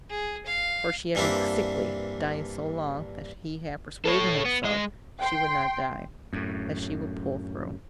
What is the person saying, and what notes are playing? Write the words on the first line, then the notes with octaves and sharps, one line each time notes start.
For she had been sickly, dying so long, that he had persuaded himself she would not die; that she would 'pull through.'
G#4
F5
G2 E3 A#3 C4 D4 E4
A4 C#5
B3
G#3 D#5
G5 C6
F#2 A2